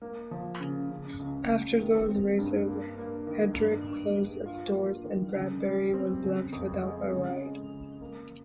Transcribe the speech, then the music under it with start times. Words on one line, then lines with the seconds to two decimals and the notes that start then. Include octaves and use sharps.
After those races, Hedrick closed its doors and Bradberry was left without a ride.
0.02 A#3
0.31 F3
0.60 C#3
0.90 C#3
1.20 C#2
1.50 C#3
1.80 D#3
2.08 C4
2.39 G2
2.68 A#3
2.98 A#3
3.27 D#3
3.57 G2
3.87 G2
4.16 G2
4.46 F4
4.75 A#3
5.04 D#3
5.34 C#3
5.64 G3
5.94 C4
6.23 C#3
6.52 F2
6.82 G#3
7.12 C#3
7.41 G#3
7.72 C#3
8.01 A#3